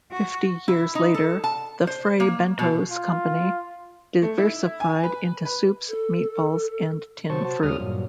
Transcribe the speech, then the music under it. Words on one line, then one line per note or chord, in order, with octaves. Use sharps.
Fifty years later, the Fray Bentos company diversified into soups, meatballs and tinned fruit.
F#4
E4
D#4
A4
A5
C5
A#3
B2
F4
A3
E4
G#5
B4
B4
A4
C3 F#3 C5 A5 C#6
F#4 C5 A5
D#2 G3 G#3 C#4 D#6 F6
G2 A#2 F#3